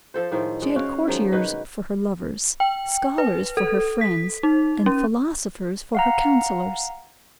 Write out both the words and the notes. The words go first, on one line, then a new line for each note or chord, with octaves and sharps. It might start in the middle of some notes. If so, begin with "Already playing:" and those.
She had courtiers for her lovers, scholars for her friends, and philosophers for her counsellors.
F3 A4 C5
A2 D#3 F3 G#3
G#3 D5
C#3 C#4 F#4 F5
D#3 F3 F#3 G#3
B2 D#4 B4 D#5
G5
B4
A4
B6
D#4
C#4
F5 F#5 A#5